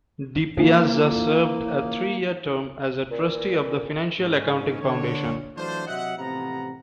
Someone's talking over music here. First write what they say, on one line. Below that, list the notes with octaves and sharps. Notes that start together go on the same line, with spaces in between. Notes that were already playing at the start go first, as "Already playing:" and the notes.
DiPiazza served a three-year term as a trustee of the Financial Accounting Foundation.
E3 F3 A#3
A#2
G#2 C#4
D3 C#5
E3 F#3 A3 D4 F4 C5
C3 F#3 D#5 E5 F#5
A1 C3 F3 B3 F#5 A#5